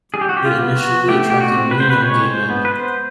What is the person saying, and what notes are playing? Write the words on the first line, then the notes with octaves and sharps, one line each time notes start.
It initially attracted many young gay men.
G3 G#4
G4
F#4
G4
F4
B3
F#4
A3 G4
G4
F#4
C4
B4
C5
B4
G#3 C#5
C5
B3
B4
C5